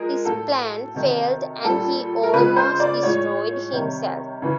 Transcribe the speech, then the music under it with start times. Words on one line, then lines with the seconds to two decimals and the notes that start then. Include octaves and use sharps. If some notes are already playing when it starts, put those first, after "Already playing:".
His plan failed and he almost destroyed himself.
Already playing: F3 G#3 A#4
0.25 A2 F#3 A4
0.95 C3 D#3 F#3
1.64 A#2 G3 A4
2.23 A#4
2.33 C#3 F3 G#3 B4
2.56 C5
2.80 D5
3.03 A2 F3 G#3 C#5
3.72 C3 D#3 G3
4.42 C#3 E3